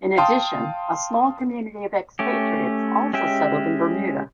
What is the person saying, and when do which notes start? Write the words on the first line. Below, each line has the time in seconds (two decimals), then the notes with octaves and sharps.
In addition, a small community of expatriates also settled in Bermuda.
0.17 F5 G5 A5 C6 D#6
2.19 A3 C#4 G4
3.13 G#3 C#4 G4 E5 G5